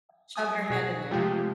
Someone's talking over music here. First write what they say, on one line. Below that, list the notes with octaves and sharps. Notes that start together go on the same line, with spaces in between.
Shoved her hand in there.
F#3 G#5 D#6
B2 F#4 G#4
C3 F3 G#3 A3 G4